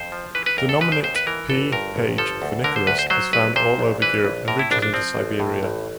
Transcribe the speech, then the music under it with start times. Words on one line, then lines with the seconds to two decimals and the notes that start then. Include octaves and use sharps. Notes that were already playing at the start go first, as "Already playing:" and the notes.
The nominate "P. page phoenicurus" is found all over Europe and reaches into Siberia.
Already playing: F2 C5
0.12 F3
0.35 E3 B4
0.46 B4
0.58 D#2 A#4
0.69 A4
0.81 C#3 B4
0.92 C5
1.04 D#2 C5
1.16 B4
1.27 E3 A#4
1.50 G1 A4
1.72 G2 A#4
1.96 G1
2.18 F3 A4
2.42 D2
2.64 D3 A#4
2.76 C5
2.87 D2 B4
2.99 C5
3.10 F#3 C5
3.33 A#1 B4
3.56 A#2 C5
3.79 A#1
4.02 E3 B4
4.25 A#1
4.48 A2 A#4
4.59 E4
4.71 A#1 D4
4.82 D4
4.94 F3 C4
5.17 A1
5.40 A2
5.63 A1